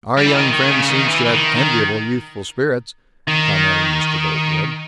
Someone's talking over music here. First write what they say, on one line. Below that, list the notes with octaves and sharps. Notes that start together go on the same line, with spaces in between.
"Our young friend seems to have enviable youthful spirits," commented Mr. Boltwood.
G3
E3
D#3
D#3
C#3
D#3
E3
E3
D#3
D#3
D#3